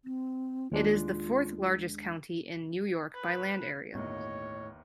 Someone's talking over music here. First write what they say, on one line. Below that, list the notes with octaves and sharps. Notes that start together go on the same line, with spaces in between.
It is the fourth-largest county in New York by land area.
C4
D#2 G#3 D4 F4
B4
G1 D#2 A2 C#5 D#5